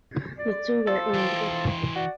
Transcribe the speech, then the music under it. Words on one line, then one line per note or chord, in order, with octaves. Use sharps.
The two were Engr.
D5
F3 A4 C6
E3 G5
F#4 D5